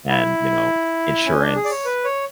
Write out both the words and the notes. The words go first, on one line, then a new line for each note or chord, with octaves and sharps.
and, you know, insurance
E4
C#4
D4
G#4
D5
C#5
B4
C#5